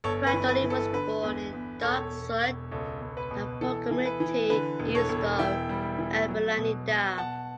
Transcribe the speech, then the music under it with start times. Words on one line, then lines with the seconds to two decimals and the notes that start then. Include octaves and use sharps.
Brandoni was born in Dock Sud, a port community east of Avellaneda.
0.04 G1 A4 C#5
0.27 B4
0.33 E3
0.48 B4
0.63 E3
0.70 A4
0.93 D3 B4
1.23 E2
1.53 E2
1.82 E1 A4 C#5
2.12 E1
2.42 E1
2.71 C#2 A4 C#5
3.02 C#2
3.17 B4
3.31 B2
3.61 E3 A4
3.91 E3
4.06 B4
4.20 E3
4.50 D3 B4
4.80 E1
4.95 A4 C#5
5.09 E1
5.39 E3 E5 G5
5.69 G3
5.98 E3
6.28 F#3
6.58 B2
6.88 B2
7.18 B2 F#5 A5